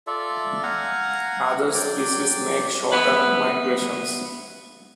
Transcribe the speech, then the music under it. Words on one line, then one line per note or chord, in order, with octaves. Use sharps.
Other species make shorter migrations.
F4 A4 D5 E5
F5 F#5 G#5 A#5
F#3 D5 G5 D6
B3 E4 B4